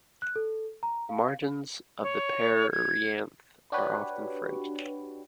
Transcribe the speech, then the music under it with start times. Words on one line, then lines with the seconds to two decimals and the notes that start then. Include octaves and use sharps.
The margins of the perianth are often fringed.
0.22 F#6
0.36 A4
0.83 A#5
1.09 F5
2.03 C#5
2.72 G#6
3.72 D4 F#4 G4 B4 C#5